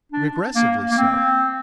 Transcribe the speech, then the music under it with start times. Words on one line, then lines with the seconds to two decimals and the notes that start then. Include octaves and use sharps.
Repressively so.
0.12 D4
0.55 A#3
0.91 A#3
0.98 C4